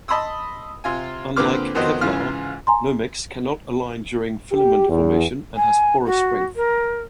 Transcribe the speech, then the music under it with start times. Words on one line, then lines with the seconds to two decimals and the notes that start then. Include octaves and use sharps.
Unlike Kevlar, Nomex cannot align during filament formation and has poorer strength.
0.08 D#5 A5 B5 C6 D#6 E6
0.84 C3 F4 G#5
1.37 A#2 D3 C4 B4 D6 F6
1.75 F2 D#3 B3 F#4 C5 D#5
2.01 G#2 C#3 E3 F4 F6
2.67 G#5 A#5 C6
4.52 G4
4.89 E2
5.56 G#5
6.05 F#4
6.56 A#4